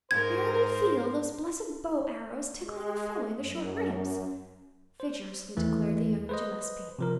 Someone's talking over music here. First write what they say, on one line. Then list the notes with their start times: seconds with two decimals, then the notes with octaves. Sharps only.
"Fairly feel those blessed bow-arrows tickling a fellow in the short ribs," vigorously declared the younger Gillespie.
0.11 G#2 A#4 C5 G#6
2.58 G#3
3.39 F#2
5.00 C5
5.57 D#2 E3 A3
6.29 B4 C5 D#5
6.99 C3 F3 A#4